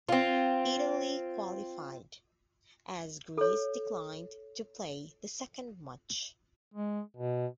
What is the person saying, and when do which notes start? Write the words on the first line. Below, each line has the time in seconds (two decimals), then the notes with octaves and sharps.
Italy qualified, as Greece declined to play the second match.
0.09 C4 F4
3.37 A4 C#5
6.74 G#3
7.17 B2